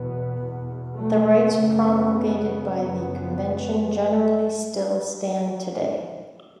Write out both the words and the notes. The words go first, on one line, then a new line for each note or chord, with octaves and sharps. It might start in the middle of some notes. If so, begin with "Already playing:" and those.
The rights promulgated by the Convention generally still stand today.
Already playing: E2 B2 B3
E2 B2
A3
F#2 C#3 A3
B3
B3
F#2 C#3 B3